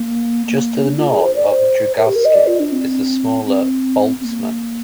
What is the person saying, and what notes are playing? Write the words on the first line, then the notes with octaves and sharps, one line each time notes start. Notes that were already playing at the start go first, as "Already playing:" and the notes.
Just to the north of Drygalski is the smaller Boltzmann.
Already playing: A#3
A#3
D4
F4
G#4
C5
D5
D5
C5
A#4
G4
A#4
D#5
D5
F4
D4
C4
C4
C4
A#3